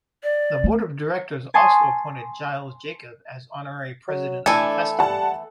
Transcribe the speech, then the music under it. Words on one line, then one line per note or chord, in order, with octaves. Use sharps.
The board of directors also appointed Gilles Jacob as Honorary President of the Festival.
D5
A3
G#5 A5 C6 C#6 D#6 C#7
F#3
E3 A3 D4 A4 G#5
G3 F#5 A5